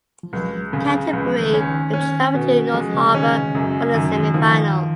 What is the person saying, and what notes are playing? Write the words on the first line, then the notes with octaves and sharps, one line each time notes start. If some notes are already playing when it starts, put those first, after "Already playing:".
Canterbury would travel to North Harbour for the semi-final.
F3
C#2 F#3
C#3
C#2 F3
D#3
C#4
D#3
C#4
B2
F3 G#3
C#3
D#3 C#4
C#3
F#2 C#3
F#2 D#3
C#3
D#3
D#3 F3